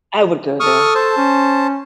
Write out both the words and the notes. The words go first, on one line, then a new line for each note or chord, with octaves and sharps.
I would go there.
A4 C#6 D#6 F6
C5 A5
C#4